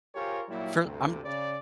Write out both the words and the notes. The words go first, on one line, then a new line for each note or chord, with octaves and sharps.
for I'm
F4 G4 G#4 A#4 C5 C#5
A#2 F#3 G3 E4
D2 G2 C3
C#3 D5